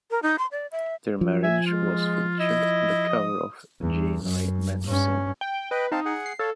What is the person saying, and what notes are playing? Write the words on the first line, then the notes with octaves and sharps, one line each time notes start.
Their marriage was featured on the cover of Geni Magazine.
A#4
D#4
C6
D5
E5
F3
E5 G#5
G#3 F4
E4 D#5
D#6
E2
F#2
G2 C#4
G5
B4 D#5 G5
C4 D#4 F5 A5
G#4 F#5
C7
A4 C#5 F5